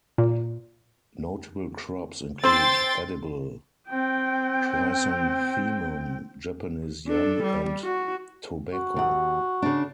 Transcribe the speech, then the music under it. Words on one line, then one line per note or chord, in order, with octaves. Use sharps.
Notable crops include edible chrysanthemum, Japanese yam and tobacco.
A#2
C4 C5 G5 C6 A6
C4 G5
D4 A4
G3
F#4
F#4
D#2 F#5
C#3 D4